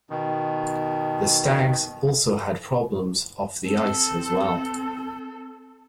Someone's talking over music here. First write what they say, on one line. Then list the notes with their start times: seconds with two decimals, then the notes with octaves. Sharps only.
The Stags also had problems off the ice as well.
0.10 B2 D#3
3.66 C4 A4